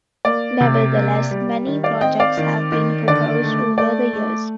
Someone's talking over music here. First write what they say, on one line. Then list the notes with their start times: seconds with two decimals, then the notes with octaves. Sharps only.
Nevertheless, many projects have been proposed over the years.
0.25 A#3 D5
0.61 C3
0.95 A#3
1.31 G3
1.67 D#3
1.83 D5 F5
2.01 C4 D#5 G5
2.19 D5 F5
2.37 D#3
2.72 D#3
3.08 D3 D5
3.43 A3
3.78 A3 D5
4.13 A3